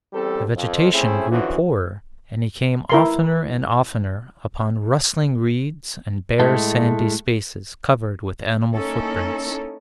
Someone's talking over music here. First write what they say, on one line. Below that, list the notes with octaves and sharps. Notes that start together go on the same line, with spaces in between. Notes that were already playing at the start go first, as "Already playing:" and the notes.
The vegetation grew poorer and he came oftener and oftener upon rustling reeds and bare sandy spaces covered with animal footprints.
E2 G3 C4 A4
F2
A3 C4 C#4 E4 G#4
D3 E3 F3 C#4 F#4
E4 A#4 C6
A2 G#3 A3
A#3 C#4 D#4 E4 A4